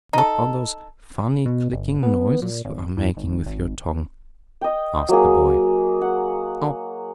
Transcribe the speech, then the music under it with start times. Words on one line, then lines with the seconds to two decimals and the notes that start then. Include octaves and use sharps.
"What are those funny, clicking noises you are making with your tongue?" asked the boy.
0.13 D#4 A4
1.46 B2
1.72 G1
2.03 B3
2.42 A#2
2.65 G#1
2.97 E2
3.17 G#1
3.46 G#1
4.61 D#5 G5
5.09 F#3 A#3 G#4
6.01 F#5